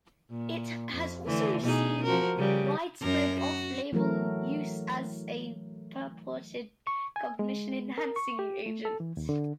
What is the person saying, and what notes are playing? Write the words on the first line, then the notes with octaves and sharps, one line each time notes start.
It has also seen widespread off-label use as a purported cognition-enhancing agent.
A#2
F2
D3 E3 A3
B2 D#4 G#4
F3 F#4 A#4
C#3 G3
F#2 A#4
F#4
E3 F#3 A3 A#4
C#6
G#5
G#3
A#4
C#6
G4
A3
A4
E3
D#2
D3